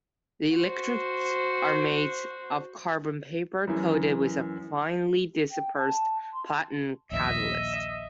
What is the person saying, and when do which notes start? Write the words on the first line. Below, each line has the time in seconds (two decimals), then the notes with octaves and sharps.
The electrodes are made of carbon paper coated with a finely dispersed platinum catalyst.
0.55 F#4 C5
3.67 F#2 E3
5.51 G5
5.77 A5
6.33 C6
7.12 A#1 D#2 A#2 D#5 E5